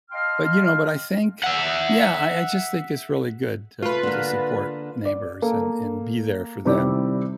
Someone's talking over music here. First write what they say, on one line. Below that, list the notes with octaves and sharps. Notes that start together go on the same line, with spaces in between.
But, you know, but I think Yeah, I I just think it's really good to to support neighbors and and be there for them,
D#5 F5 G5 A5 C6 F6
E5 F#5
A3 F4 B4
D3 A#3
D5
A#3 A4
C3 D#3 G3 E4 G4 D5